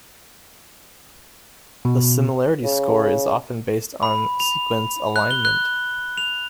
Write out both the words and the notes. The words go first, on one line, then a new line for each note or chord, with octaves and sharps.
The similarity score is often based on sequence alignment.
B2
C#3
B5
F7
F#6
G7
F#6
F7